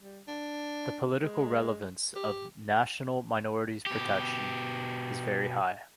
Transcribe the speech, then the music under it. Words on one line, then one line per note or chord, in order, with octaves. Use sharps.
The political relevance of national minorities' protection is very high.
G3
D4
G#3
G4
B2 G4